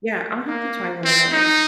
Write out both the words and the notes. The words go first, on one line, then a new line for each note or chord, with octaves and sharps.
yeah, I'll have to try one of those.
A#3
C4
D#4